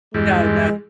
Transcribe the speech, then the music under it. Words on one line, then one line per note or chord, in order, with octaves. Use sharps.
No, no.
E2 G2 G#3